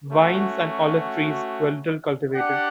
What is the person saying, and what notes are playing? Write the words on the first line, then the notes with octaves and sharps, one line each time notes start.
Vines and olive trees were little cultivated.
A3 C#4 F#4
D4 G4 D5 F#5